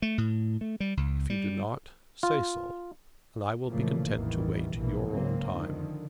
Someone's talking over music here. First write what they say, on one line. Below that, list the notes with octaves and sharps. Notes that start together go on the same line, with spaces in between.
"If you do not, say so, and I will be content to wait your own time."
A3
A2
A3
G3
C#2
G3
F4
A#2 C#3 E3 F3 A3 A#3
A1 E2 D#3 E3 G3
A#1 G2 B2 E3 A#3
C#2 G#2 C#3 F#3 A#3 C4
D3 D#3 F3